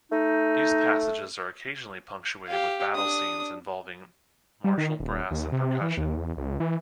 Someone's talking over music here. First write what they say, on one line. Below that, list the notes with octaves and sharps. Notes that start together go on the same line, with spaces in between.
These passages are occasionally punctuated with "battle scenes" involving martial brass and percussion.
A3 D#4
G4 F5
D4 D#6
G3
D#3
D#1
D#2
C3
E3
D#2
E2
C#2
E3